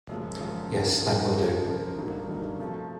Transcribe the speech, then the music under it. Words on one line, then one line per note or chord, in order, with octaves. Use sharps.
Yes, that will do.
F#2 C#3 F3 G#3
F#2 C#3 F3 G#3
E2 C#3 F3 A#3 D#4
E2 C#3 F3 A#3 D#4
C#3 F3 A#3
C#3 F3 A#3
G2 D3 F#3 A#3 D#4
G2 D3 F#3 A#3 D#4
C3 F3 A3